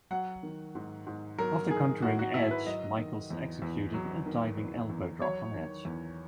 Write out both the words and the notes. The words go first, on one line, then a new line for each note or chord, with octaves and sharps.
After countering Edge, Michaels executed a diving elbow drop on Edge.
F#3 F#5
D#3
G#2
G#2
F#3 A#4
D#3 G#4
G#2 F#4
F#4
G#2 E4
B4
F#3 D#5
D#3
E2
E2
F#3
D#3
E2
E2
F#3 C#5
D#3
E2